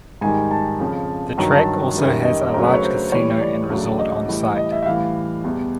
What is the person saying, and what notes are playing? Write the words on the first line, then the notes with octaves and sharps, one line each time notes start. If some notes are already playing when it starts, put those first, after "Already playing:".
The track also has a large casino and resort on site.
G#2 D#3 G3 G#5
A5
F2 C#3 F3
G2 D#3 F#3 A#5
A5
F#2 D#3 G3
D#5
D2 C#3 F#3 A#4
B4
C#5
C5
A2 E3 G3 C#5
D5
D2 C#3 F#3
D#5
A2 E3 G3
D#5
E5
E5
A2 E3 G3 F5
E2 B2 G3